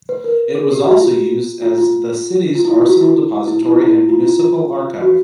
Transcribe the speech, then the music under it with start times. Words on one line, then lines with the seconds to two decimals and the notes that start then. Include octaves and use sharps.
It was also used as the city's arsenal depository and municipal archive.
0.09 B4
0.24 A#4
0.55 G#4
0.71 G4
0.86 F#4
1.01 F4
1.62 F4
1.78 F4
2.55 F4
2.65 E4
2.76 F4
2.86 F#4
3.01 E4
3.48 E4
3.62 E4
3.72 F4
3.81 E4
4.09 F4
4.24 F4
4.40 F4
5.01 F#4